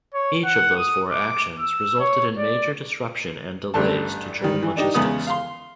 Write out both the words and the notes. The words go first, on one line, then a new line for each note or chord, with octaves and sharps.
Each of those four actions resulted in major disruption and delays to German logistics.
C#5
F#5
D#6
D6
E6
C#5
D5
A1 G2 D3 A5
D#3 G3
E3
D4 D#4 G4
E2 C#3 G#3 B3 D#6
F5 C6